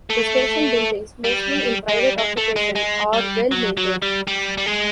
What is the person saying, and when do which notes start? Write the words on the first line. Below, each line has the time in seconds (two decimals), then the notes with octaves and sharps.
The station buildings, mostly in private occupation, are well maintained.
0.10 A3
1.24 G3
1.89 G#3
1.99 G3
2.18 G#3
2.37 A3
2.56 G#3
2.76 G#3
3.13 G3
3.51 F#3
3.77 F#3
4.02 G3
4.27 G3
4.57 G3
4.66 G#3